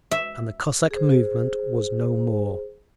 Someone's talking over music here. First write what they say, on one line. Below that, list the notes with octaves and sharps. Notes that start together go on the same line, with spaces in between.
And the Cossack movement was no more....
E5
G#4 C5